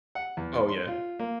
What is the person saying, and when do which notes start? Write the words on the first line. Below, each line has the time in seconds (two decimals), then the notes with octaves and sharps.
Oh, yeah.
0.15 F#5
0.37 E2
0.68 C6
0.88 F4
1.19 A#3